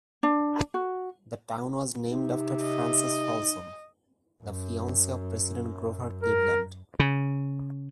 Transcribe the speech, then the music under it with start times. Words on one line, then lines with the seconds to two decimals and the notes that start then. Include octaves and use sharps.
The town was named after Frances Folsom, the fiancee of President Grover Cleveland.
0.23 D4
0.74 F#4
2.10 C3 D#4
2.62 D#5
4.46 F#2
6.23 A#4
7.00 C#3